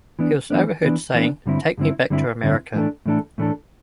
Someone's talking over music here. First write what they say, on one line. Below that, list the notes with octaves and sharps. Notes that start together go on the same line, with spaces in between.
He was overheard saying, Take me back to America.
E3 B3 D4
E3 B3 D4
E3 B3 D4
E3 B3 D4
G2 D3 G3 C4 E4
G2 D3 G3 C4 E4
G2 D3 G3 C4 E4
G2 D3 G3 C4 E4
A2 E3 A3 D4 A4
A2 E3 A3 D4 A4
A2 E3 A3 D4 A4